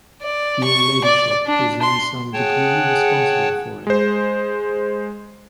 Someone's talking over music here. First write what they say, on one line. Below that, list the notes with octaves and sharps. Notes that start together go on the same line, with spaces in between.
Your ladyship is in some degree responsible for it.
D5
C#6
D5
D4
C6
G#4 C#5 F#5 G5 A5
G#3 C5